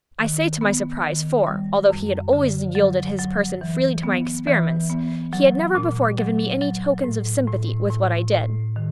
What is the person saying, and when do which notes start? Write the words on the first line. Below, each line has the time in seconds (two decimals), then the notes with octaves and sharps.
I say to my surprise, for, although he had always yielded his person freely to my experiments, he had never before given me any tokens of sympathy with what I did.
0.19 D#3
0.61 B3
1.04 D#3
1.47 G3
1.90 F#2
2.33 D3
2.75 F#3
3.19 F#3
3.61 E3
4.03 B3
4.47 E3
4.90 B3
5.33 F#3
5.75 A#2
6.18 F#3
6.61 F#3
7.04 A2
7.47 A2
7.90 A2
8.33 A2
8.76 D#3